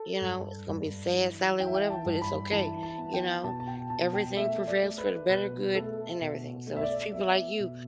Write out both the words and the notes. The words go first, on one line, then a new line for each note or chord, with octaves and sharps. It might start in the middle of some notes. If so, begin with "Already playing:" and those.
you know? It's gonna be sad, sadly, whatever, but it's okay, you know? Everything prevails for the better good, and everything, so, it's people like you
Already playing: A4
G2
G2
E3
E3 G5
E5
G5
A5
G2
B5
E3 A5
A5
B3
G5
B2 A5
A5
G5
B2 A5
G5
A3 E5
D5
A3
B4
B2 B4
A3 A4
B2
A3
E5
D5
B3 E5
B2